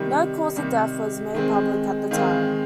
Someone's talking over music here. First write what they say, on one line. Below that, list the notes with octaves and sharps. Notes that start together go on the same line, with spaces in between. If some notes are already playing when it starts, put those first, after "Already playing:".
No cause of death was made public at the time.
Already playing: C3 D#3 G3
C3 D#3 G3
D#3 G#3 C4
D#3 G#3 C4 F5